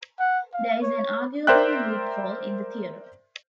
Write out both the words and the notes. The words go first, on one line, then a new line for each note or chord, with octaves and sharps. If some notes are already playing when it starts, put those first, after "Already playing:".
There is an arguable loophole in the theorem.
F#5
F5
C#5
A#4 C5 D5 E5 G5 F#6